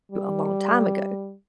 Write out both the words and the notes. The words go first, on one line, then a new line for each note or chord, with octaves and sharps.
a long time ago,
G3